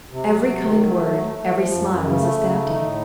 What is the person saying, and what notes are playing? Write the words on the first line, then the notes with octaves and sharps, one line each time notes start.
Every kind word, every smile was a stab to him.
C3
F#3
C3
D#3
F#3
A3
F#3
A3
A3
F3
F#2
F#2
C#3
A3
C#3
A3
D#4
A2